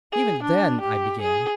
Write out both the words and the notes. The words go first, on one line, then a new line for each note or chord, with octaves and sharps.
"Even then--" I began.
G#4
D4
G4
G#4